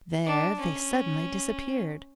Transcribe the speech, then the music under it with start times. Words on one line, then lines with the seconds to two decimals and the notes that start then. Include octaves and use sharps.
There they suddenly disappeared.
0.26 D4
0.60 C#4